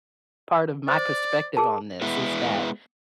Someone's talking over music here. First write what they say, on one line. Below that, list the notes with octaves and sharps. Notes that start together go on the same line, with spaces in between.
part of my perspective on this is that,
C5 D5
G#4 A#4 A5
G#3 B3 E4